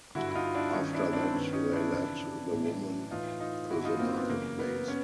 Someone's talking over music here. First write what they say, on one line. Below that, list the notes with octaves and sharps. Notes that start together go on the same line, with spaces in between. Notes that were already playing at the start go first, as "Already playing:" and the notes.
After that, they led the woman to the marketplace.
G2 D3 E4 F#4
E4
D#4 F4
D4 E4
G2 D#3 C#4 D#4
D4 E4
C4 D4
G2 D#3 B3 C#4
C#4 D#4
D4 E4
F2 C#3 E3
A2 E3
A2 E3 D#4 F4
D#4 F4
G2 D3 E4 F#4
D#4 F4
A#3 C4
B3
F#2 C#3 E3 A#3
B3
B3 C#4